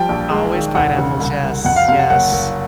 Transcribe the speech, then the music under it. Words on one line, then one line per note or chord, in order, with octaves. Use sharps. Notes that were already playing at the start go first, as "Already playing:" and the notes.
Always pineapples, yes, yes.
Already playing: F3 G3 G5
A#1
G#3
D#3
E1 F#5
C#3
C2
C2
F2 F#5
F5
C3 F5
F#5
F#1 F#5
F#1